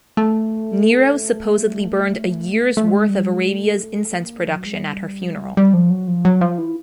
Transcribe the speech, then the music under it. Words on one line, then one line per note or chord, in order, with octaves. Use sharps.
Nero supposedly burned a year's worth of Arabia's incense production at her funeral.
A3
A3
G#3
G3
G#3
A3
A#3
A3
F3
F#3
G#3
G3
G3
F3
F#3
F3
F#3
F3
E3